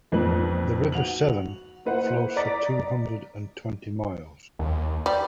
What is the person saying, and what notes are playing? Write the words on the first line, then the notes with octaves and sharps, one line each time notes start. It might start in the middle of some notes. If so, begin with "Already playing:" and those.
The river Severn flows for two hundred and twenty miles.
A#1 F2 G#2 B4 F#7
F#4 F7 F#7
A#3 E4 B4 C5 F#5
D5 D#5 A#5 D6 A6 B6
D#2
G3